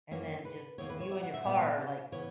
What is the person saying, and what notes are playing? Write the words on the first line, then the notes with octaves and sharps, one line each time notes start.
and then, just, you and your car are, like,
F#2 E3 A#3 C#5
B4
E2 D#3 A#3 C#5
B4
C#5
E5
F#5
E5
A#2 G#3 B3
C#3 E3 B3 C#5